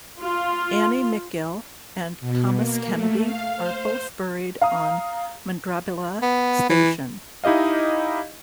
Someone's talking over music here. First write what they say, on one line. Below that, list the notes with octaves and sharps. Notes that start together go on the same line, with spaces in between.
Annie McGill and Thomas Kennedy are both buried on Mundrabilla Station.
F4
B2
A#3
A3
F5
C5
F5 A#5 D#6
B3
E3
D#4 E4 G4 D#5 F5